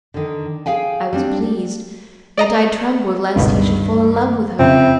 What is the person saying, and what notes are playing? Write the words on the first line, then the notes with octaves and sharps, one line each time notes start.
I was pleased, yet I trembled lest he should fall in love with her!
D3 D#3
G#4 F5 G5 G#5
G3 C4 D4
D5 D#5 A#5
G1 C#2 G2 B2 D#3
F2 C#3 F3 C4 E5